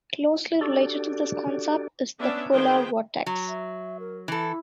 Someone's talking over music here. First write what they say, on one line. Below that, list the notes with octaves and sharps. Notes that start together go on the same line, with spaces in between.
Closely related to this concept is the polar vortex.
D4 F#4 G4 A4 D5
B3 C#4 D4 E5
D#3 B3 F4 G#4 C5 G5
F#3
E5
A#4
E3 E4 A4